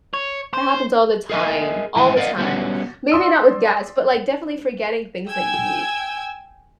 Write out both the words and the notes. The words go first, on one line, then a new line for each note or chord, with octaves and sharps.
That happens all the time. All the time. Maybe not with gas, but, like, definitely forgetting things that you need.
C#5
C5
G#4 A#4 D#5 E5 G#5
G#2 E3 E4 E5 G#5
A#4 D5 D#5 F5 F#5
G3 B3 C#4 F#4
D5 C6 D#6 E6
G5 G#5 E6 G#6